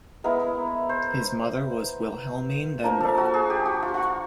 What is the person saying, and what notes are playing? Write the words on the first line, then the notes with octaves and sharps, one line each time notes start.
His mother was Wilhelmine then Bergh.
G#3 B3 E4 A#4
C5
F3 A#3 D4 A#4
A4
F#4
G#4
G4
F#4
F4
F4 F#4